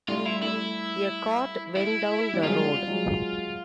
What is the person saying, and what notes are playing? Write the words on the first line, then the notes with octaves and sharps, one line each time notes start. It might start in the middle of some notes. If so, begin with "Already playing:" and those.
A cart went down the road.
G3 A3 F4
E4
G3 A3 E4
E4
G3
F#3 G#3 F4
G3
F#3 G#3